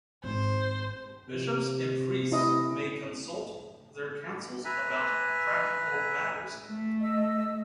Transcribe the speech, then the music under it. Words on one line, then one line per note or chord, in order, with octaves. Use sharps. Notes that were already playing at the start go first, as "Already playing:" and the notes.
Bishops and priests may consult their councils about practical matters.
G#1 C5
C3
E4 D#5
B4 E5 G#5 A#5
A3
D#5 E6